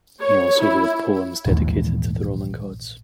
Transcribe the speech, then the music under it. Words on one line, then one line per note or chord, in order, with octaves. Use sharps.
He also wrote poems dedicated to the Roman Gods.
C#5
E4
A#1 D#2 G#2 E3